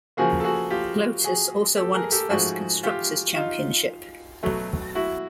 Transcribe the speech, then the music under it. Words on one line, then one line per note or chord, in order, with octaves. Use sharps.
Lotus also won its first constructors' championship.
C#3 F3 A#3 F#4 G#4
A4
F#4 G#4
F4 G4
F#4 G#4
G4 A4
G#4 A#4
G4 A4
G#2 F3 A3 F#4 G#4
F4 G4
D#4 F4
B2 F#3 A3
E4 F#4